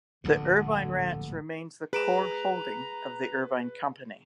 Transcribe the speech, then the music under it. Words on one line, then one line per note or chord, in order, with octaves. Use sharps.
The Irvine Ranch remains the core holding of The Irvine Company.
D1 A#1 G2 D3
G#4 B4 A#5 D7 E7